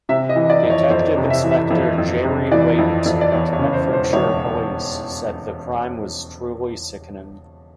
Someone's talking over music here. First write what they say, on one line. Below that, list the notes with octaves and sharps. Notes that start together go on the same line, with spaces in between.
Detective Inspector Jerry Waite at Bedfordshire Police said the crime was "truly sickening".
C3 E5
D#5
E3
D5
F2
C#5
F2 C5
C3
E5
E3
E5
F2
F2
C3
E3 D5
F2
F2
D5
E2 C#5
C#5
C#3
C5
E1
C5
E1 C#5